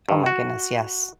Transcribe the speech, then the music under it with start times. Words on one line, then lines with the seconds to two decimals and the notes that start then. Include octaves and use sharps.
Oh my goodness, yes.
0.09 G2
0.26 F#4